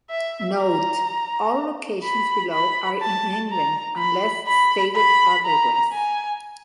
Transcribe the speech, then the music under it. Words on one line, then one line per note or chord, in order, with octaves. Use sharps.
Note: All locations below are in England unless stated otherwise.
E5
A#5
B5
B5
A5
A#5
B5
B5
B5
A#5
G#5